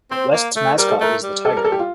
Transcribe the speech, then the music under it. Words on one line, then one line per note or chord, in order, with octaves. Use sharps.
West's mascot is the Tiger.
C4 C5
A#3
A3
G3 A#4
A4
A3 A#4
G3
A4
A#4
A4
G4
F4